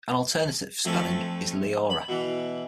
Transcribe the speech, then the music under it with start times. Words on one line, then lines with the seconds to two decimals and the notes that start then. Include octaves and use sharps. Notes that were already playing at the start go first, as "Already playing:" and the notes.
An alternative spelling is Liora.
0.85 F2 F3 A3 G#5 A5 C#6
1.90 B5
2.08 B2 E3